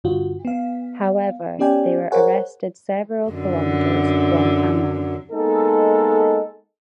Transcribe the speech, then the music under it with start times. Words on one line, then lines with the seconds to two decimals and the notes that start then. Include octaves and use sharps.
However, they were arrested several kilometers from Amul.
0.04 G2 D3 F4 F#4
0.45 B3 F5
1.59 B3 C#4 G4 D5 G5 G#5
2.12 G#4 A#4 C5 C#5 F#5 G#5
3.29 F#2 D3
5.31 G#3 A#3 B3 D#4 A4